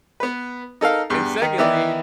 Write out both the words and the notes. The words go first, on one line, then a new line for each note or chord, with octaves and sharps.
And secondly"
B3 B4
D#4 A4 A#4 F5
E2 G2
D#3
D#3 E3 B3 E4 D5